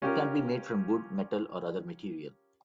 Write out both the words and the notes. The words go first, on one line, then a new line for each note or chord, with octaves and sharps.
It can be made from wood, metal or other material.
C#4 F4 G4 A#4